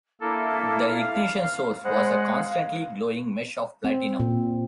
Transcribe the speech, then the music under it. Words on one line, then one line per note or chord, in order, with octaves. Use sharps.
The ignition source was a constantly glowing mesh of platinum.
A#3 D4 E4 A4
F5
G#3 C5 D5 F#5 B5
F5
C4
A#2